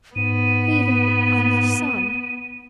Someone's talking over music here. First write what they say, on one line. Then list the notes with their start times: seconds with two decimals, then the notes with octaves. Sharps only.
"Feeding on the sun!"
0.16 G#2 B3 D#7